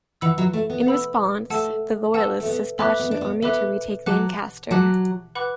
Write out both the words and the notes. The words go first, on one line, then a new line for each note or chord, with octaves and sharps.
In response, the Royalists dispatched an army to retake Lancaster.
E3 F#5 B5 E6
F#3
A3
B3
F#5 B5 E6
A3 F#5 A5 E6
B3 F#5 A5 E6
A3
B3
B3 A4 E5 B5 D6 F#6
B3
D4
B3
B3 A4 E5 B5 D6 F#6
F#3 F#5 A5 D6 F#6
F#3 F#5 A5 D6 F#6
B4 F#5 B5 D6 F#6